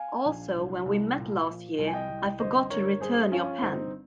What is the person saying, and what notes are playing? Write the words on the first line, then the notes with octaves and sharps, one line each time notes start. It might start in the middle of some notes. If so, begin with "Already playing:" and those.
Also when we met last year, I forgot to return your pen.
Already playing: F5 G#5
A#1
C2
C2
A#2
F3
C2
G#5
D#5 G5
C2
G1 C5 D#5
G1 A#4 C#5
G2 G#4 C5
F3 C#4 F4
G1 C4 D#4